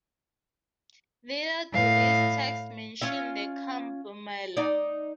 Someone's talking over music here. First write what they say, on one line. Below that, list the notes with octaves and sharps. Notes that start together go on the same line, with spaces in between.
Neither do these texts mention the Kumbh Mela.
A2 F5
C#4 F4 E5
D#4 D5